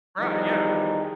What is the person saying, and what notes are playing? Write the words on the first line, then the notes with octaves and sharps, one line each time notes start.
Right, yeah.
E2 D#3 F3 G3 D#4 G#4